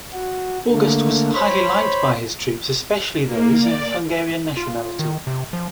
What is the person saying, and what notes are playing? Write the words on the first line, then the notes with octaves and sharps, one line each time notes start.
August was highly liked by his troops, especially those of Hungarian nationality.
F#4
D3 A3 A#3
C5 C#5 B5
A#3
D5
F4
D#3
C3
F3